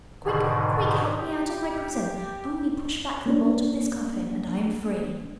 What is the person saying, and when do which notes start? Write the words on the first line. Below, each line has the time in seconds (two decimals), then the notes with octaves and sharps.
Quick, quick, help me out of my prison; only push back the bolt of this coffin and I am free.'
0.24 G#2 B2 D3 D#3
1.18 G4
3.26 A#3 C#4 D4